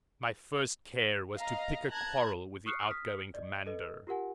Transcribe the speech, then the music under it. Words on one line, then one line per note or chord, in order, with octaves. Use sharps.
My first care was to pick a quarrel with the outgoing commander.
D#5 F5 A#5
A5 A#5 F#6 G#6
C#6 D#6 F6 F#6 C7 C#7
D#6 F6 B6
D5 D#5
A4 B4 D#5
F4 G4 A#4 F#5 G#5